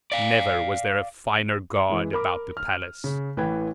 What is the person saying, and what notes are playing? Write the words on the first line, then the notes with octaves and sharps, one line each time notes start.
Never was there a finer guard about the palace.
D5 F5
E3 G#3
A#4 B5 D6
F6
C#3
A1 E3 B4 G5 G#6